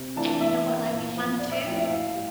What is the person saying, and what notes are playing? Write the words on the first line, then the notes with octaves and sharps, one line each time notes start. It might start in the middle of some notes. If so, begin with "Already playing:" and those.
And you know what might be fun too?
Already playing: C3
E3 A3 D4 F4 A5
E3 E5
A#3 E4
A#2
F3 C4
A#2 D5
E5
F3 A3 E4 G5
E5
A2 F5
G3